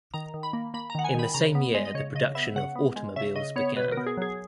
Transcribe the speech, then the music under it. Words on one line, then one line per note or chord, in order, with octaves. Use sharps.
In the same year the production of automobiles began.
D#3 A#5
D#3
B5
A#3
A#3 B5
A#5
D#3 F#5
G#5
D#3 B5
C#3 A#5
B3
G#3 D#5
D#5
C#3 C#5
C#3 D#5
B3 E5
C#3 F#5
B3
G#3
C#3 E5
C#3 D#5
B3 C#5
B2 B4
A#4
B3
G#4
F#3 G#4